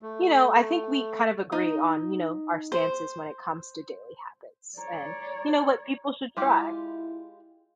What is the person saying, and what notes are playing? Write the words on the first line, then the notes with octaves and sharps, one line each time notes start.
you know I think we kind of agree on, you know, our stances when it comes to daily habits, and, you know, what people should try.
A3
D#4
C5
C#5 D5 A#5
G#3 E4 F4 G4